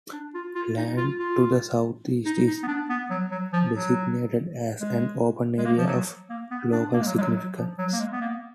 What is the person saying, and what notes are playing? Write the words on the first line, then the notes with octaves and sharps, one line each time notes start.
Land to the south-east is designated as an open area of local significance.
D4
F4
F4
D#4
F4
F4
D#4
D#4
B3
D4
B3
F#3
F#3
F3
F#3
G#3
G#3
A#3
F3
F#3
A#3
B3
D4
A#3
G#3
F#3
G#3
F#3
F#3
F3
F#3
A#3
G#3
B3
A#3